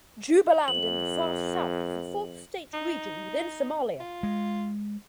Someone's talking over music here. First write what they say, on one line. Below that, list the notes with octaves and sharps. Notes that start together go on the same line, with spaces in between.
Jubaland in the far south is a fourth state region within Somalia.
F2 F#7
D#4
F4
G#3